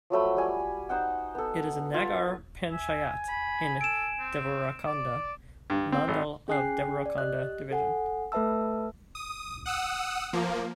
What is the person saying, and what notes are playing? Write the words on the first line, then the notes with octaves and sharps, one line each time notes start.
It is a nagar panchayat in Devarakonda mandal of Devarakonda division.
F3 F#3 A3 B5
G3 G#5
D#4 C5 F#5 G5
B3 A4
F4
E5 G#5
B5
A4 D7 E7
C4
D5
G2
C4
G#1
C#4 G#4 G5 G#5 F#6 C7
D5
G4 D#5 F#6
A4 F#5 G#5
A3 A4 B4 E5 A5 E6
D#6
F#5 D#6 E6
F3 A#3